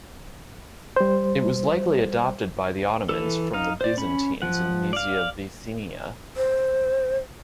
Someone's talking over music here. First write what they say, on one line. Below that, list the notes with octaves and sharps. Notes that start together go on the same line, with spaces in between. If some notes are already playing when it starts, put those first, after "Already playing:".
It was likely adopted by the Ottomans from the Byzantines in Mysia-Bithynia.
G3 C5
E3 A4
D#4 F5
C5 D5
C#4 B5
F3 F#5
D5 F5
C5